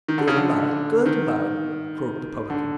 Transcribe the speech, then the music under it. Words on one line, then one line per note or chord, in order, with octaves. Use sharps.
"Good lad! good lad!" croaked the publican.
D#3
D3
C#3
D3
D#3
D3